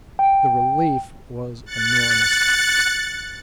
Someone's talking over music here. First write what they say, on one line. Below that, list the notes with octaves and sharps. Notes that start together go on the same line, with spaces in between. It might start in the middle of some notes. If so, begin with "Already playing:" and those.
The relief was enormous.
G5
F#6 A6 C#7